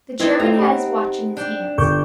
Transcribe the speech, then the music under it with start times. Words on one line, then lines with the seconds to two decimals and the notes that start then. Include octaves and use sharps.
The chairman had his watch in his hands.
0.20 C4 D#4 E4 B4 G#6
0.40 A3 D5 A#5
0.58 G4 F#5 B5
1.37 D4 G5
1.78 G1 C#6 D6 G6